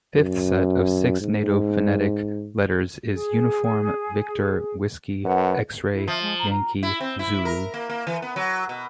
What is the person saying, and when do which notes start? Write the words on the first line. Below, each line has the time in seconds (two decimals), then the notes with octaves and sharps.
Fifth set of six Nato phonetic letters is Uniform, Victor, Whiskey, Xray, Yankee, Zulu.
0.15 F#2
1.20 G#2
3.13 G#4
5.25 F#2 B4 F#5
5.93 E4
6.08 F3 E5
6.21 G#3
6.38 A#5
6.50 A#5
6.83 E4
7.00 C4
7.19 E4
7.45 A#4
7.74 A#3
7.89 A#3
8.07 E3
8.22 B3
8.36 F#3
8.69 B2